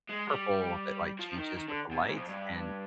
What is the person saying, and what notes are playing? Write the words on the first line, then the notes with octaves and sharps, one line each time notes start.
purple that, like, changes with the lights, and
G#3
G3
F3
D#3
D#3
D3
B2
G#2
F2
G2